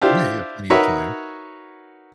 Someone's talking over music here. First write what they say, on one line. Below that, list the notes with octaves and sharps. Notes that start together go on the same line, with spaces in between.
Yeah you have plenty of time.
D4 E4 F4 G4 C5
D#4 F#4 A#4 B4 C#5 E5